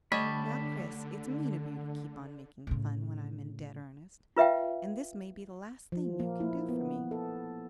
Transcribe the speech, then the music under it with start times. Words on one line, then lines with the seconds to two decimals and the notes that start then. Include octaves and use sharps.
"Now, Chris, it's mean of you to keep on making fun when I'm in dead earnest; and this may be the last thing you can do for me."
0.12 D3 G3 A3 C#5 D#5 A5 B5
2.67 A2 C#3
4.37 F4 B4 E5 F5 G5
5.92 F3
6.20 A#3
6.40 E4
6.69 B3
7.11 A4